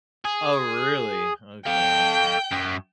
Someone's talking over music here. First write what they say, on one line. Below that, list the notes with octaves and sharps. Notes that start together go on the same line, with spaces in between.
Oh really, okay.
G#4
A4 F5 G5
F#2